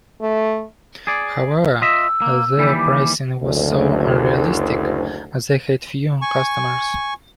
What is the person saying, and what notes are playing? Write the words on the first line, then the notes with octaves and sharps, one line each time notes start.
However, their pricing was so unrealistic, they had few customers.
A3
G#4 D5
F4 D#5 E5 E6
A#3
D#2 E3 G3
D6
F#1 D2
G#5 C#6